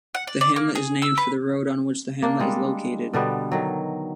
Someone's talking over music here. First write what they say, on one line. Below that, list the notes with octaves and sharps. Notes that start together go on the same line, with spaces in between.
The hamlet is named for the road on which the hamlet is located.
F#5
D5
D5
A#3
G#4
E6
B4
A#3 D4
G3 G#3
B2 D3 G3 B3
D3 D#3 F#3